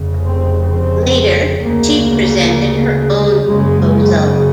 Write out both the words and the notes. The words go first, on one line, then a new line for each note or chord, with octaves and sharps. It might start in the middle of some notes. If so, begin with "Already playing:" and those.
Later, she presented her own proposal.
Already playing: F1 F2 C#3
C4
C4
D2 C#3 A#3
F#1 F#2 C#3 G#3